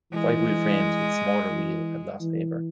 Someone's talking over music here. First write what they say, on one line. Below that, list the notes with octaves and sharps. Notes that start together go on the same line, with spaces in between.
Five-wheel frames with smaller wheel have lost favor.
E3 G#3
E3
E3